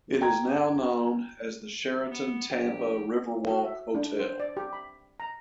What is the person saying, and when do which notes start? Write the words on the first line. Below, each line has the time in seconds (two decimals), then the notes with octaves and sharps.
It is now known as the Sheraton Tampa Riverwalk Hotel.
0.21 G5 A#5 G#6
2.11 B3
2.50 A#1 G4
3.50 F#4
3.64 E5
3.95 D4
4.20 C5
4.40 D5
4.57 G4
4.73 B5
5.20 A#5